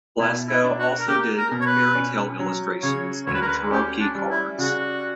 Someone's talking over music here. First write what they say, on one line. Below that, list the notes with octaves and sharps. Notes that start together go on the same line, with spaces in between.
Blasco also did fairy tale illustrations and tarrocci cards.
B2 E4
E4
D4
F#4
A#4
A#3 G4
A#4
B2
C#5
B4
C#4
F#3
C#3 C#5
D2 C#5
B4
A#4
B4
C#4 G4
D4
G3
E4
C#3 F#4